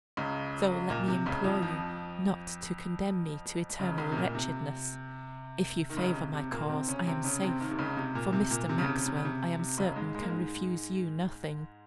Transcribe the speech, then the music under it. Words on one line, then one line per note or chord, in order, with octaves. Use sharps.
So let me implore you not to condemn me to eternal wretchedness: if you favour my cause, I am safe; for Mr. Maxwell, I am certain, can refuse you nothing.'
C#2 C#3
A#2
C3
C#2 C#3
F2 F3
F2 F3
C#2 C#3
C#2 C#3
C3
A#2
C3
D#3
C#2 C#3
C3
C3
A#2 A#3
C3 C4
C#3 C#4
C3 C4
C#3 C#4
C3 C4
D#2 D#3
C3
C#2 C#3
C3
A#2
C3
A#2
C3
C#3
C3
C#3
C3
C#3
C3
C3
C#2 C#3
G#2 G#3
G#3
A#3
G#2 G#3